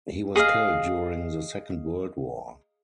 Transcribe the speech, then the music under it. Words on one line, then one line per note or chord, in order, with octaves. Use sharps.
He was killed during the Second World War.
G#4 D#5 F5